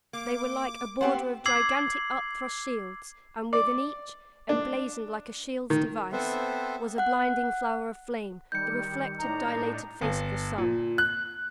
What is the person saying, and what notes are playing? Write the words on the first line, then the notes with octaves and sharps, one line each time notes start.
They were like a border of gigantic, upthrust shields; and within each, emblazoned like a shield's device, was a blinding flower of flame--the reflected, dilated face of the sun.
A#3 D6
B3 C4 G4 C5 F#5 C6
D6 E6 G#6 C7 F#7
D5
D4
D#3
B3 C4 A4 B4 C5 E5
F#5 F#6
D#3 G3 G6 C#7
A2 D4 D#4 A#5
G1
A#2
F#6